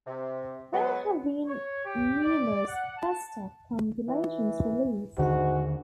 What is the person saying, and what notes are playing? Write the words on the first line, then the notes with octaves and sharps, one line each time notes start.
There have also been numerous 'best of' compilations released.
C3
F#3 G#3 B3
C#5
G4
D5
F#5
A5
E3
D#2 G#2 D3 D#3 F#4